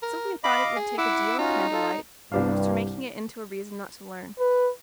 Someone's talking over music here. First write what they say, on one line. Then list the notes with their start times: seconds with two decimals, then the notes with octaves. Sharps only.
'Sylvia thought it would take a deal of candlelight, and was for making it into a reason not to learn.
0.02 A#4
0.44 D#5 F5 B5 D6
0.76 G#4
0.98 E4 F#5 D6 E6
1.39 C#4 D#4 F4 F#4
1.72 F4 A4
2.32 C2 G2 D4 F5
4.39 B4